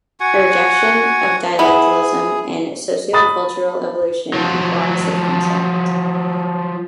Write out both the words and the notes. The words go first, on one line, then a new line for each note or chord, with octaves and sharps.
A rejection of dialectism and sociocultural evolution informs the concept.
F#4 F#5 G#5
B3 E4 G#4
B5 D#6 A6
F3 F#3